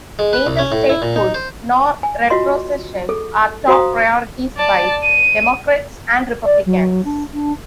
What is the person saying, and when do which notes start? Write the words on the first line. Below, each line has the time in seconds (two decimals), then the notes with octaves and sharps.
Neither statehood nor retrocession are top priorities by Democrats and Republicans.
0.19 G#3
0.33 B4
0.47 C2
0.59 C#4
0.72 A2
0.89 E4
1.02 A#2
1.16 D#4
1.34 C5
2.03 G#5
2.30 F4 F#4 D#5 C6
3.09 G#4 A4
3.68 F#4 C5 F5 A#5 C6 D#6
4.57 D5 A5
5.03 D#7
6.45 D5
6.66 F#3
7.05 D4
7.33 D4